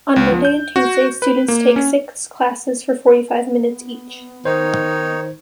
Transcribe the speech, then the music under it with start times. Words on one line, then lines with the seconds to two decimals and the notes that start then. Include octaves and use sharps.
On Monday and Tuesday, students take six classes for forty-five minutes each.
0.16 C#2
0.31 F3
0.45 G6
0.76 F#4
1.22 B4
1.48 A#3
1.76 C#4
3.37 B3
4.45 D#3 D#4 C5 C#5